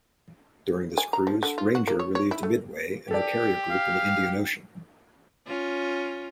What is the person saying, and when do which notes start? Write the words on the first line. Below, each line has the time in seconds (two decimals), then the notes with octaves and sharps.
During this cruise, "Ranger" relieved "Midway" and her carrier group in the Indian Ocean.
0.98 G#5
1.13 A#5
1.27 F3
1.43 D3
1.58 F4
1.75 F#4
1.87 A#3
1.99 C#5
2.15 C#5
2.31 E4
2.43 A3
3.11 G4 A4 D5
3.70 F5
5.46 C#4 F4